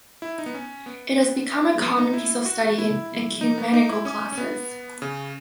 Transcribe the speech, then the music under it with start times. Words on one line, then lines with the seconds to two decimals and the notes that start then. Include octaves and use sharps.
It has become a common piece of study in ecumenical classes.
0.22 E4
0.38 D#4
0.46 B3
0.54 C#4
0.86 B3
1.18 B3
1.82 B3
1.98 D#4
2.13 E4
2.45 F#4
2.78 E4
3.41 D#4
3.58 B3
3.73 D#4
3.89 E4
4.05 C#4
4.32 C#4
4.38 B3
5.02 C#3